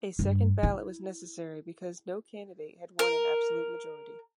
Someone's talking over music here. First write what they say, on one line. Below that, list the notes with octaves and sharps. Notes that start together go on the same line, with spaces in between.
A second ballot was necessary because no candidate had won an absolute majority.
G2
E4
A#4